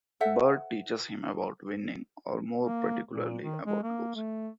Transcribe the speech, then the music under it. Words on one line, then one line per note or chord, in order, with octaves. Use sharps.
Bert teaches him about winning, or more particularly about losing.
A4 C5 E5 F#5
A#3
A#2
D#3
G#3
A#3
A3